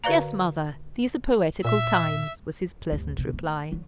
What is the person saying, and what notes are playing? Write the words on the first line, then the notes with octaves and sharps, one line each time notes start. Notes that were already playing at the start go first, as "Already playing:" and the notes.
"Yes, mother, these are poetical times," was his pleasant reply.
D3 F#4 B4 D5 F5 A#5
A#2 E5
D2 G2
B2
A3
D3 F#3